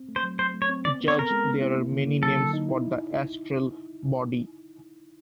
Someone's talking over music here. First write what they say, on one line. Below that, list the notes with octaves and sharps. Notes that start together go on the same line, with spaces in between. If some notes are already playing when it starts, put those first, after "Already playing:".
Judge There are many names for the Astral Body.
Already playing: C4
A3
C5
F#3
F#3 C5
A3
C#5
C4
B3 D5
B3
C#5
A4 A#4
G#3
B3
E4
A#3
D3
A#3
F#3 A4
D3
D#4
E4